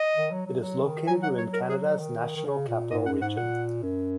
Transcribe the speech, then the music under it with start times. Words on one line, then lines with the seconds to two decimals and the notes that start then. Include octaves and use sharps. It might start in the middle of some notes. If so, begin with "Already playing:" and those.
It is located within Canada's National Capital Region.
Already playing: D#5
0.16 D#3
0.31 F#3
0.46 F#3
0.61 F#3
0.84 D#3
1.07 F#3 G#5
1.23 F#5
1.38 C#5
1.54 A#4
1.69 G#4
1.99 D#3
2.36 D#3
2.46 C#3
2.68 A#2
2.91 G#2 D#5
3.06 F#2 F#5
3.22 G#2 F#5
3.37 A#2 F#5
3.83 F#2